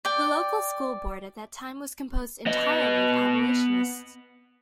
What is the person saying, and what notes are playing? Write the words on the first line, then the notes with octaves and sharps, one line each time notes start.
The local school board at that time was composed entirely of abolitionists.
D5 G5
B3 D#5